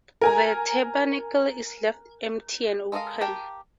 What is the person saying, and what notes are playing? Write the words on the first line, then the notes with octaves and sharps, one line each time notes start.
The tabernacle is left empty and open.
A#4 G#5 A#5
G#3 A4 A#4 D#5 F5
G4 A#4 F5 G5 A5